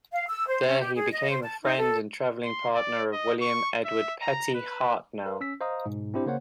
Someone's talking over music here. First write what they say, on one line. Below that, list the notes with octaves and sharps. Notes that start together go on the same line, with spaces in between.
There he became a friend and traveling partner of William Edward Petty Hartnell.
F5
E6
C5
C#4
G4
G#4
D#5
C5
A5
D#4
A4
C6
D5
D#5
C#6
E5
A#5
B4
A#4 B4 F5
C#4 E6 B6
C5 D#5 F5 A#5 D#6
G#2 B2
C4 D4 E4 G4 C5
C#3 A#3 C5 C#5 F#5